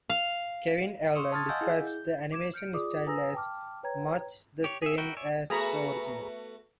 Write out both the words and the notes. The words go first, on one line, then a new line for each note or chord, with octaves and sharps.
Kevin Eldon describes the animation style as 'much the same as the original'.
F5
C6 C#6 D#6 E6 C#7
A5 C6 D#6 F6 G#6 A6
D#5 F5 F#5 G#5 E6 G6
E4 G#4
G6
D6 G#6 E7
F6 G6 C#7 D7
F4 G#4 D5 D6 D#6
B4 G#5 A#5 D#6 E6 A#6
G5 A5 D6 F6
B4 C#5 G5 A#5 G#6
G4 C#5
G#4 E5
E4 F#4 A#4 G5
C#5 D5 E5 G#5
A3 B3 F#4 G#4 A#5 B5